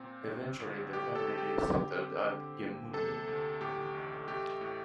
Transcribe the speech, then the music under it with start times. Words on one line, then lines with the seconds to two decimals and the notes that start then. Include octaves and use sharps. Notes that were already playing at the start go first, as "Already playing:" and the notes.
Eventually the family settled at Gmunden.
Already playing: A#2 C4
0.26 G2
0.60 G1
0.93 A2 G4
1.15 A4
1.27 C4
1.38 G4
1.60 D3 G4
1.93 C4
2.27 D3
2.60 A#3
2.93 C3 A4
3.27 D2
3.61 A2 G4
3.94 A1
4.27 A3 G4
4.61 A2